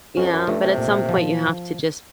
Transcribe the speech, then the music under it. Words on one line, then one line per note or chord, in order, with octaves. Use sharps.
Yeah, but at some point, you have to just
F2 C#4
F#2
G2 A3
C3
A#2
F3